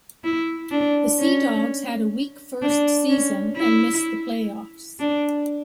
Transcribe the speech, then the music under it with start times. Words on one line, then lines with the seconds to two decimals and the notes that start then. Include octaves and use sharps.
The Sea Dogs had a weak first season and missed the playoffs.
0.24 E4
0.71 D4
1.19 C#4
2.62 D4
3.09 C#4
3.57 E4
4.99 D4